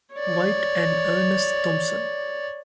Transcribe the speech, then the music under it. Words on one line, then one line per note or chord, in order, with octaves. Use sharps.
White and Ernest Thompson.
C#5 D5